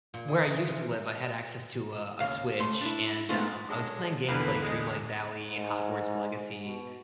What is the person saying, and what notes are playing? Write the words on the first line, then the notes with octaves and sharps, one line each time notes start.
where I used to live, I had access to a a Switch, and, um, I was playing games like Dreamlight Valley, Hogwarts Legacy,
A#2
G#4
E3
C3
D#2 C#3 F5
C#2 A3 C6
D4 E4
G#3 A3 B3 C4 D#4 F4
D3 F#3 G#3
E2 D3 A#3 B4
G#3
G#2
B2